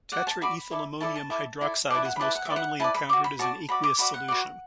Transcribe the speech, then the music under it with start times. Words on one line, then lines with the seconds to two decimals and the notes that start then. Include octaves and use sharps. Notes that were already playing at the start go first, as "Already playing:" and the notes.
Tetraethylammonium hydroxide is most commonly encountered as an aqueous solution.
0.12 F#4 D5 F#5
0.27 A5
0.41 F#4 D5 B5
0.71 E4 A4 D5
1.01 E4 A4 D5 A5
1.16 A5
1.30 E4 A4 D5
1.61 E4 A4 D5
1.90 E4 B4 D5 A5
2.05 F#5
2.16 B5
2.20 E4 B4 D5 A5
2.35 F#5
2.45 E5
2.50 E4 B4 D5
2.56 F#5
2.80 E4 B4 D5 A5
2.94 B5
3.09 F#4 D5 D6
3.24 B5
3.39 F#4 D5 A5
3.69 F#4 D5 B5
3.83 D6
3.99 F#4 D5 B5
4.14 F#5
4.28 F#4 B4 D5